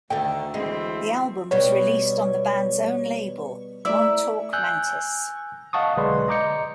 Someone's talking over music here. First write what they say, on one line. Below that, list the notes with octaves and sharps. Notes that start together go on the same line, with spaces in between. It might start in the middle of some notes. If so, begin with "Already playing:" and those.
The album was released on the band's own label, Montauk Mantis.
D2 D3 D#3 A3 G5
E3 G#3 C4
B2 G3 B3 C#5
A3 E4 D5 E6
G#5 E6 F#6 G6
D#5 F5 F#5 A5 C#6 D#6
B1 D3 G#3 B4 D5 C6
D#5 A#5 D6 G6 C#7